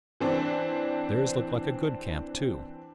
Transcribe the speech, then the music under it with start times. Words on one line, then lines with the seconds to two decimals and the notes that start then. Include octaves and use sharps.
Theirs looked like a good camp, too.
0.20 E3 C4 D4